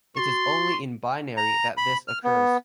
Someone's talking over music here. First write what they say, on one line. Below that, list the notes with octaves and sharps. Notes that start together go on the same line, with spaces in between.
It is only in binary that this occurs.
F#4 C6 A6
A#5
B5
F6
B3